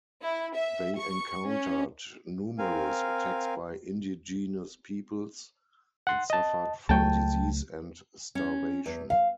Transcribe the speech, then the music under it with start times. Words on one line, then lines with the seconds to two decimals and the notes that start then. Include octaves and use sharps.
They encountered numerous attacks by indigenous peoples and suffered from disease and starvation.
0.21 E4
0.55 E5
0.97 C#6
1.46 C#4
2.58 C4 A#4 F5 G#5
6.07 F#5 C6
6.30 D#5 A5
6.89 C#2 F#3 A3 G5 A5
8.35 C#4
8.86 E2
9.10 F5